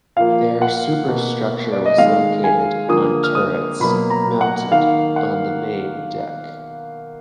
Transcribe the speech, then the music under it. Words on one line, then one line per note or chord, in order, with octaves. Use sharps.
Their superstructure was located on turrets mounted on the main deck.
A#2 F3 A#3 F5
F#5
B2 A#3
D5
D#5
D#3 G#3 F5
G#5
D3 F3 A#3 D#6
F6
D#6
B2 F#3 A#3 B5
A#5
F#5
D#3 A#3 F5
F#5